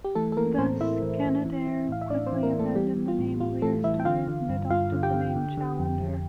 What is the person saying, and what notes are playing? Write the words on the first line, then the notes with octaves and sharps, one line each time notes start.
Thus, Canadair quickly abandoned the name "LearStar" and adopted the name "Challenger".
G4
E3 A3 A4
A4
E3 A#3 A#4
A2 C4 C5
A2 E4 E5
E3
E3
E3
E3
A2 F5
E5
A2 D4 D5
C4 C5
E3
A#3 A#4
E3
A3 A4
E3 G3 G4
E3
F4
A2
A2 F4
E3 A3 A4
E3 E4 E5
G5
D3 F4 F5
D3
G2
G2 F4 F5
D3
G4 G5
D3
D3
D3
F2
F2